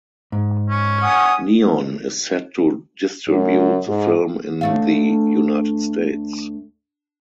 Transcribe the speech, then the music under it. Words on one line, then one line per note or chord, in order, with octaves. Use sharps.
Neon is set to distribute the film in the United States.
G#2
C#4
F#5 G#5 D#6
F#2
G#2
D2 A3 F5